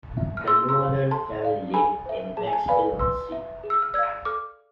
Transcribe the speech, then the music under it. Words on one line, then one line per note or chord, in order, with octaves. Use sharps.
The Nolan family lived in Bexhill-on-Sea.
E5
F6
G#4 C6 E6
C6 E6
C5 F5
A4 A5 C6
D5 F5
A4 G#5 B5
C5 E5
G#4 A5
G#5
A5
B4 D5 F5 G#5 B5
B4 C6 E6
E5
G#4
E6
F6
D5 F5 E6 G#6
A4 D6 F6